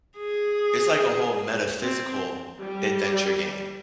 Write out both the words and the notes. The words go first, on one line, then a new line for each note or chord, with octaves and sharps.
it's, like, a whole metaphysical adventure game.
G#4
C4
G3